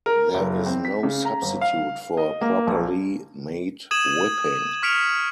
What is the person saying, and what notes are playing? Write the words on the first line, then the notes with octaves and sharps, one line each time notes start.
There is no substitute for a properly made whipping.
A#4
F#1
C4
B6
C#3
A#5
G1
F5
D#5
A#3
A#1
D#6 G#6 D#7 E7 F#7
C#6 F6 B6 C#7 D7 F7